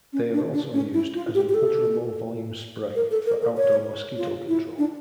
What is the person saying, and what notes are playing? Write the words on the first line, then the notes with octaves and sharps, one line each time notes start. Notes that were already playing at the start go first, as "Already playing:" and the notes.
They are also used as an ultra-low volume spray for outdoor mosquito control.
C#4
D4
D4
C#4
E4
F4
G4
G4
A4
A#4
A4
A#4
A#4
C#5
F4
E4
D4